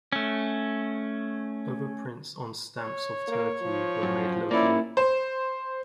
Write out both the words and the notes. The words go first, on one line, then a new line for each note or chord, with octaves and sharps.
Overprints on stamps of Turkey were made locally.
A3 C#4
C#5
A#3
F3
F#2
A#3 C#4 E4 D5
C5